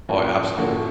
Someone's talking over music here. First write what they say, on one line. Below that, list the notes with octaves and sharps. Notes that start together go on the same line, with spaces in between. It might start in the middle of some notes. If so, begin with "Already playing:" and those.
Oh, absolutely.
A2 F3 A#3 C#4 F#4
A2 F3 A#3 C#4 F#4